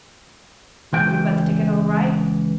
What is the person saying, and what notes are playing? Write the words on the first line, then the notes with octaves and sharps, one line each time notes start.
"You've got the ticket all right?"
C#2 E3 G5